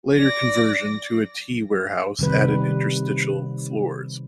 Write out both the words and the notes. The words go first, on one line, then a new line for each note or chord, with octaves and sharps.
Later conversion to a tea warehouse added interstitial floors.
D5 A#6
C3 D#3 G3 B4